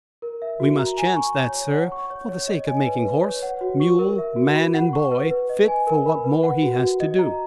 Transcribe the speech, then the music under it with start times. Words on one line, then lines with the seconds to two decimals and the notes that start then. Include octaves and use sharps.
"We must chance that, sir, for the sake of making horse, mule, man and boy fit for what more he has to do."
0.22 A#4
0.42 E5
0.60 F#4
0.79 A#5
0.98 G#5
1.16 C#6
1.35 C#5
1.55 C#5
1.73 F#5
1.92 C#6
2.10 C#5
2.29 C#5
2.48 D#5
2.67 G#5
2.86 B4
3.05 B4
3.24 C#5
3.43 F#5
3.61 F#4
3.80 C#6
3.99 A#4
4.18 E5
4.36 F#4
4.55 B5
4.74 F#5
4.93 C#6
5.12 B4
5.31 B4
5.49 D#5
5.68 G#5
5.87 A#4
6.06 B5
6.24 B4
6.43 F#5
6.62 F#4
6.81 F#4
7.00 D#5
7.19 A#5